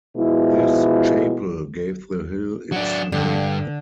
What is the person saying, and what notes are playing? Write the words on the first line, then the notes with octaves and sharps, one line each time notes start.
This chapel gave the hill its name.
B2 F3 G#3 E4
F#3 D4
G2 D3